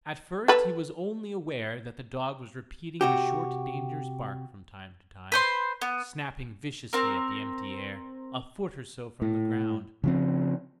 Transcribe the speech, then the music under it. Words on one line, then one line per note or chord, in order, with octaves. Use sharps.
At first he was only aware that the dog was repeating his short dangerous bark from time to time, snapping viciously at the empty air, a foot or so from the ground.
A4 B4
C3 F#4 G4
B4 C5 C6
B3
C4 A#4
A2
C#3 F3 C4